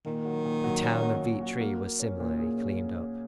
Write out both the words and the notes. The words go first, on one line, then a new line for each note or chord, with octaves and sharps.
The town of Vietri was similarly cleaned up.
A#2 D#3
F#3
A#2
F#3
C#4
F#3
A#2
F#4
A#3
A#3
C#4
A#2
G#4
C#4